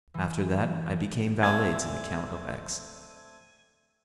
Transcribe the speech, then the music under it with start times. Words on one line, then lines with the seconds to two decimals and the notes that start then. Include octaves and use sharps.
After that I became valet to the Count of X---.
0.14 E3
1.43 A3 C4 D4 G#5